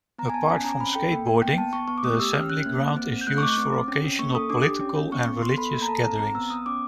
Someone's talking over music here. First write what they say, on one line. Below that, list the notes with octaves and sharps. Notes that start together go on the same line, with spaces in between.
Apart from skateboarding, the assembly ground is used for occasional political and religious gatherings.
B3 A#5
G#5
B3 A5
C#4 G#5
C#4 A#5
C4 B5
A4 G5
A#3
A#3
B3 G5
B3 A5
B3 C#6
B3 C#6
D6
A3 D#6
G4 E6
C#4 F6
C#4 F#6
A#3
A#3
C4
C4
G6
A3 F#6
C#6
A3 D6
C4
C4
C#4
C#4
A#3 C#6
A4 D#6
D4 D6
G4
C#4
C#4
B3 C#6
B3
B3 C6
A4 B5
A#3
A#5
A4 A5
C4 A#5
C4 A#5
B3 E6
B3 D#6
C#4 D6